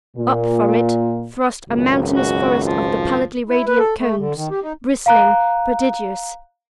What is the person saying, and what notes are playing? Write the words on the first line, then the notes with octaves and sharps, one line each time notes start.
Up from it thrust a mountainous forest of the pallidly radiant cones; bristling; prodigious.
A#2
G#1 C#2 F#2
F#4
F3
E4
B4
A4
A3
D3
D#3
G4
D#4
F5 A#5 F#6